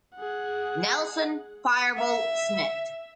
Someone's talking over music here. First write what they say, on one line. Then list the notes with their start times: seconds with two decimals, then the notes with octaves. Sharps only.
Nelson "Fireball" Smith.
0.16 G#4 F#5
1.97 E5